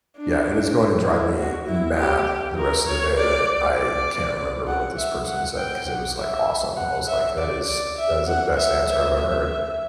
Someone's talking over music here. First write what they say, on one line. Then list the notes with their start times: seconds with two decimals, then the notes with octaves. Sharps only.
yeah, it is going to drive me mad the rest of the day that I can't remember what this person said, 'cause it was like awesome. I was like: "That is that is the best answer I've ever heard,"
0.17 D4
1.08 E4
1.37 F#4
1.67 E4
1.97 G4
2.57 A#4
2.87 C#5
3.17 D5
3.78 D5
4.67 F#5
4.98 E5
5.27 F#5
5.57 G5
5.88 F#5
6.18 E5
6.77 F#5
7.07 E5
7.38 D5
7.68 D5
7.98 E5
8.27 F#5
8.57 E5
8.88 E5
9.18 E5